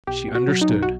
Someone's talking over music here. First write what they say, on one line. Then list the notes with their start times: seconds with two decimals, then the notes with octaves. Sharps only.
She understood!
0.07 B1 G4
0.28 B2
0.35 F#4
0.48 F#3
0.61 D#4
0.69 B1
0.83 F#4